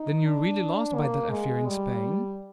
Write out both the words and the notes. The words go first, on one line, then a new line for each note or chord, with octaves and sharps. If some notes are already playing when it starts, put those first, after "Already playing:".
"Then you really lost by that affair in Spain?"
Already playing: D#4
D4
A#3
G#3
G3